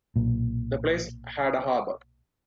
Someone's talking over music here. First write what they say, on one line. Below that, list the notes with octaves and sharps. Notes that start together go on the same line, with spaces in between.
The place had a harbour.
B1 A#2